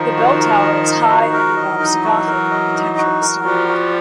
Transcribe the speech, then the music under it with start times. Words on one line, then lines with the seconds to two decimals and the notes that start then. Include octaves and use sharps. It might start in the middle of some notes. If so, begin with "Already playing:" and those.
The bell tower is high and adopts Gothic architectural style.
Already playing: D#3 F3 D#4
0.16 F#4
0.39 A#4
0.62 D#5
0.86 D#4
1.10 F#4
1.33 A#4
1.57 E3 F#3 D#5
1.80 D#4
2.04 F#4
2.27 A#4
2.51 D#5
2.74 D#4
2.98 F#4
3.21 A#4
3.44 F3 G3 F#4
3.68 F#4